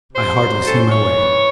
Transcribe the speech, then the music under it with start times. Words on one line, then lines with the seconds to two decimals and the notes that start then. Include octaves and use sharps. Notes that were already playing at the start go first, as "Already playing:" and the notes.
I hardly see my way.
0.13 C3 C5
0.39 F#3
0.64 C#4 A4
0.77 C5
0.89 F#2 C#5
1.14 E3